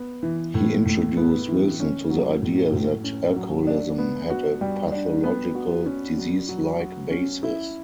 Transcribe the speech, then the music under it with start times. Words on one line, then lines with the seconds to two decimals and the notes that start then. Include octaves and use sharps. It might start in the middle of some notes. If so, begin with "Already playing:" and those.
He introduced Wilson to the idea that alcoholism had a pathological, disease-like basis.
Already playing: B3
0.23 E3
0.54 A2
0.86 A2
1.17 B3
1.48 E3
1.80 C#4
2.10 F#3
2.42 A2
2.73 A2
3.04 C#4
3.36 F#3
3.67 D4
3.98 B3
4.30 F#4
4.61 G3
4.92 D4
5.24 B3
5.55 F#4
5.86 C#4
6.18 F#3
6.49 F#3
6.80 F#4
7.11 C#4
7.43 E4